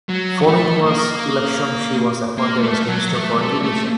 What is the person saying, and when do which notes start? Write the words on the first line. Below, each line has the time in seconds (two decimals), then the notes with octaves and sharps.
Following the election she was appointed as Minister for Education.
0.09 F#3
0.48 A3
0.86 A#3
2.38 A#3
2.63 A3
2.84 A3
2.88 F#3
3.14 A3
3.39 A3
3.65 A3